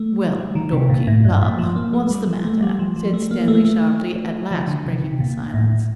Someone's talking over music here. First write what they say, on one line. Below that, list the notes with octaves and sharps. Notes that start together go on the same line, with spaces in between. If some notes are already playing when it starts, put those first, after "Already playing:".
'Well, Dorkie, love, what's the matter?' said Stanley sharply, at last breaking the silence.
Already playing: A3
G3
D#3
C3
A#2
A2
G2
A#2
F3
A#3
A3
G3
F3
A3
G3
F3
F3
A3
A#3
A3
A3
F3
D3
C3
C3
A#2
A2